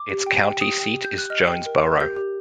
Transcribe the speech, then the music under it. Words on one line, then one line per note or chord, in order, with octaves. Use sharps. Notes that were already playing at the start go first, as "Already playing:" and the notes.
Its county seat is Jonesboro.
Already playing: D6
G4
G5
G5
G4 D#6
G5
G4
G6
G4 F#6
D#5 F6
G5
A#4
A#4
G4 G6
G4